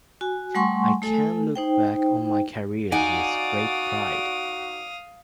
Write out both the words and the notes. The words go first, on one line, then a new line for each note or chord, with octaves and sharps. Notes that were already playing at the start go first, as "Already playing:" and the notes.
I can look back on my career with great pride.
F#4 G#5
G3 A3 F#5 G#5 C6 C#6
A3 A4 G#5
D#4 C5 G5
D#4 F#4 D5 F5 F#5 G#5 D#6